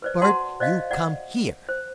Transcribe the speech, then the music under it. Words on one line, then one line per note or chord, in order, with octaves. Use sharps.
"Bart, you come here!"
B4 C5 D5
F#4 D5 F#5 A5 C6
C5 D5 D#5 F5
D5 F#5
C5